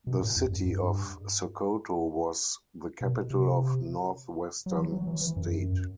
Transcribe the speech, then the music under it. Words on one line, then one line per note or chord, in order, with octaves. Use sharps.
The city of Sokoto was the capital of North-Western State.
B2
A2
E2
F#2
G2
B2
C3
F#3
E3
F#3
E3
E3
F#2